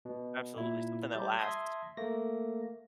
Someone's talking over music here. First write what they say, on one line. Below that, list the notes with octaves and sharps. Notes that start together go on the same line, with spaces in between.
Absolutely, something that lasts.
B2
A#2 E4
G3 D5 G6
E5 A5 C6 D#6 G#6 A#6
A3 A#3 A#6